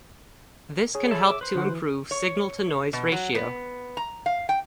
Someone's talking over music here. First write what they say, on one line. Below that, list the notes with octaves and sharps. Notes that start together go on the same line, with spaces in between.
This can help to improve signal-to-noise ratio.
G#4 C#5
E4 A4 E5
E5 D6
B4 C5
D3 F#4
E3
C#5
B2
F#3
B3
A#5
F5
G5